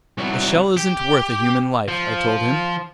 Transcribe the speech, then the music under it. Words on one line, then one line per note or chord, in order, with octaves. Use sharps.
"A shell isn't worth a human life!" I told him.
C2 F#3
G4
F3